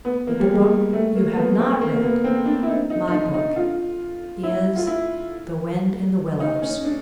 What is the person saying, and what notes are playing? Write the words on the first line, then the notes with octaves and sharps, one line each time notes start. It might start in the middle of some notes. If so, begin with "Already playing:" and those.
But the book you have not read-- my book--is The Wind in the Willows.
B3
A#3
G3
G#3
A3
A#3
B3
C4
A#3
A#3
B3
C4
D4
E4
D#4
D#4
D#4
D4
D#4
F4
E4
F4
E4
D#4
C#4
D4